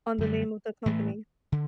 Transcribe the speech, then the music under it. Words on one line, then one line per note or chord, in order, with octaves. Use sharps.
on the name of the company.
F#2 D3 G3
A2 E3 A3
D3